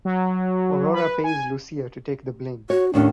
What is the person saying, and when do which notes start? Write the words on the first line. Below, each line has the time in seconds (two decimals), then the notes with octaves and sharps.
Aurora pays Lucia to take the blame.
0.05 F#3
0.93 B4
1.24 G#5
2.70 F#4 C#5
2.94 D#2 A2 C#4 D4